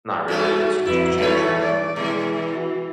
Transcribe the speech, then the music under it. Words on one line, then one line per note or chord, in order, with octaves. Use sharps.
not really, it's ch changed you?
G2 A3 C#4 F#4
F2 E4 B4
G2 E3 A3 B4 C#5
D5
B2 E3 G#3
F#4